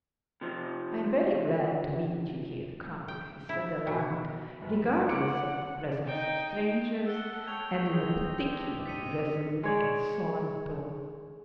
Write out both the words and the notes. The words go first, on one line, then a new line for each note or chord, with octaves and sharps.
"I am very glad to meet you here, Count," he said aloud, regardless of the presence of strangers and in a particularly resolute and solemn tone.
C3 F3
G5
E4
B2
G1 B4
F#5 D6 C#7 D7
D#4 G5
F#5 A5 E6 G7
C#5 G5 A5 C#6 D#6 G6 G#6 F7
C4 G#4 B4 D#5
D4 G4
A6 B6 C#7 D#7
G#3 C#5 D5